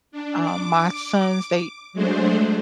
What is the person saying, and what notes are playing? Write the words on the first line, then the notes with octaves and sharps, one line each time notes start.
Um, my sons, they
D4
D6
F#3 G#3 A3 D4 C5